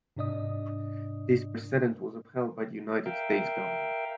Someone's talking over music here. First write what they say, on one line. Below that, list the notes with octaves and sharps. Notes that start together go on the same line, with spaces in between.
This precedent was upheld by the United States government.
G#2 C3 D4 D5 D#5 D#6
A#4 E5 F5 G5